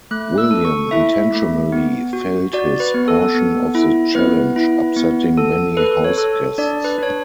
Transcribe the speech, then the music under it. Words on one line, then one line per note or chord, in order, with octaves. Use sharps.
William intentionally failed his portion of the challenge, upsetting many HouseGuests.
A3 F#6
E6
A4
C#6
E4 E5
A3
B3
F#4
F#4 D5
B4
B3
A4
B3
E4
B3 B4
E4
B3
A4
A4 B4
C#5
A4
D4 D5
B4
D4 C#5